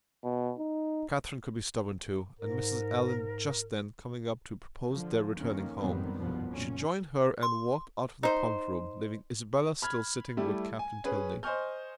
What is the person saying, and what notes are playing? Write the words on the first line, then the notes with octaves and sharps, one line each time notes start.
But Catherine could be stubborn too; and Mrs. Allen just then coming up to propose their returning home, she joined her and walked out of the pump-room, leaving Isabella still sitting with Captain Tilney.
B2
D#4
G#2 A#4
D3 F3
F2 D#3 A#3 C#4
A1 F#2 D#3 G3 B3 C4
F1 C2 G2 B2 F3 B3
F#1 A#2 C#4
C6
D#4 C5
B5 F6 G#6
G3 A3 E4 G4
G#5
C#4 G#4 B4
C5 D#5 G#5 C#6 F6 G6